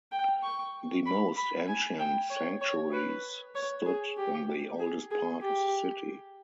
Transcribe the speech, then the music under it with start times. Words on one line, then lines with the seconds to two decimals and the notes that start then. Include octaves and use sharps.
The most ancient sanctuaries stood in the oldest part of the city.
0.12 G5
0.43 C#6
1.06 B5
1.36 B5
1.68 G#5
1.99 G5
2.30 C#5
2.61 C#5
2.92 B4
3.55 C#5
3.85 G#4
4.17 G4
4.79 G#4
5.11 G#4
5.42 G4